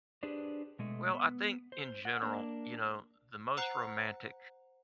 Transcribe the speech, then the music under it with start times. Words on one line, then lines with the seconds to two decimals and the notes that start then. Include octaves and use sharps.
well, I think in general, you know, the most romantic
0.23 D4 G4 G#4 B4 C5 D5
0.79 B2 G#3 A3
1.14 B3
1.72 C5
2.05 F#5
2.22 A#3 D4 A#4
3.57 C5 F#5 A#5 F#6 C7